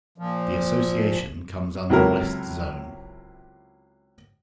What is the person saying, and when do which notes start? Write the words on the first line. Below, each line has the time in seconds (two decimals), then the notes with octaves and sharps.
The association comes under west zone.
0.18 A#2 F3
1.90 C#2 C3 F#3 E4 A4 A#4